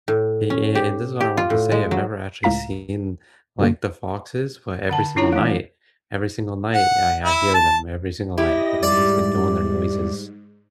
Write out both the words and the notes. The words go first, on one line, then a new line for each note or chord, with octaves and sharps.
an an and this is what I wanted to say I've never actually seen like the foxes, but every single night, every single night, I I hear them every single night. They're always like doing their noises,
A2
C#4
G4
G4
F4
A2
G#3
F#3
C#2 A2 F5 A#5 B6
G2 B2 D3 A#3
D3 F#5 A5
C#4 D4 E4 F4 C#5 A#5
E3 A3
F#5
E4
A5
E4 G4 D#5 A#6
G#2 G3 D5